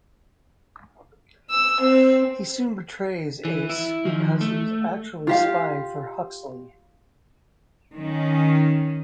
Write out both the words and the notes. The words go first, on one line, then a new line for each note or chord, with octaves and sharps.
He soon betrays Ace because he was actually spying for Huxley.
E6
C4
E3
E4
D#3 F3
A3
F4 G4 F5
D#3 C#4